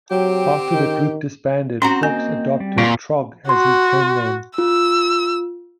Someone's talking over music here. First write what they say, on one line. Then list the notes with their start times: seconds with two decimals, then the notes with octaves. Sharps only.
After the group disbanded Fawkes adopted 'Trog' as his pen-name.
0.11 F#3 C4 G4
0.74 D#3
1.82 C4 C#4 F#4 A#5 C6
2.03 A#3 D#5 G#5 G6
2.60 G3
2.78 A#2 F4
3.49 F#4 C6
4.58 F4 E6